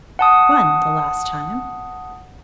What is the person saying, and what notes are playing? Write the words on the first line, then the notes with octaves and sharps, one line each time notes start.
"One, the last time."
F#5 A5 D#6